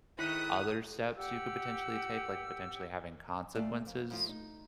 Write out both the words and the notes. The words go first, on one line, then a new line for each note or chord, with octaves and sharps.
other steps you could potentially take, like potentially having consequences
G#2 D#3 A3 E4 D#6 F#6 B6
G4 F#5 E6
A#2 A3 D5 F5
F2
F2 A3 F4
D#4